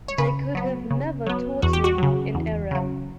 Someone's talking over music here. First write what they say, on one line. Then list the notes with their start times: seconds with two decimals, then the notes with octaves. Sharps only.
They could have never taught him in Arab.
0.08 C#5
0.18 C#3 B4
0.55 F#3 B3
0.90 C#3
1.27 F#3 B3
1.62 E2 F#4
1.73 G4
1.84 F#4
1.98 C#3 F#3
2.35 E2
2.71 C#3 F#3